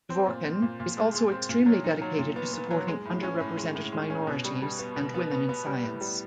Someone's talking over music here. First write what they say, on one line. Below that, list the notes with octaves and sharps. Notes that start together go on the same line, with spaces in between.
Dvorkin is also extremely dedicated to supporting underrepresented minorities and women in science.
C4
A#2
C4
A#2
A#2
G#3
G#3
C4
A#2
F#3
D#4
F#3
A#2
B3
B3
F#3
G#3
A2
C#4
A2
G#3
A2
G#3
C#4
B2
G3
G3
B3
B2
B3
B3
B3
G3
A2
G3